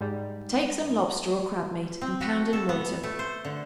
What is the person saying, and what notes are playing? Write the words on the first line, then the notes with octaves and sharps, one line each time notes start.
Take some lobster or crab-meat and pound in a mortar.
G#2 G3
C4
F#4
A4
B3
A3
C5
D3